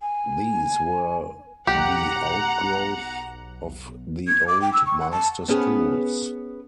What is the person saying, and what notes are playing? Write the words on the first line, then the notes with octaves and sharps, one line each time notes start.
These were the outgrowth of the old master schools.
G#5
B1 G4 F#5 A#5
G#6
D6
G5
E6
C#6
F#5
A5
B3 C#4 G#4